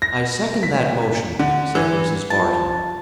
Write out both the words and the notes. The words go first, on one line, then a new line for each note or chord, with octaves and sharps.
"I second that motion," said Mrs. Barton.
A#6
B6
D3
E3
F3 A5